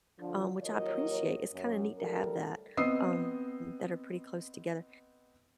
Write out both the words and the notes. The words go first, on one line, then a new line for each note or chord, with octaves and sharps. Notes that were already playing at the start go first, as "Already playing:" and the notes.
um, which I appreciate, it's kinda neat to have that, um, that are pretty close together,
D3 F3
D#2 F3 F#3 A#4 C#5 D#5
F#2
D2 A2 G3 A4 A#4
B3 C4 D#5 D#6 E6 C7